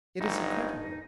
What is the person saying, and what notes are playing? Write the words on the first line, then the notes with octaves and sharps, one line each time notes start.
It is incredible!
G1 D#4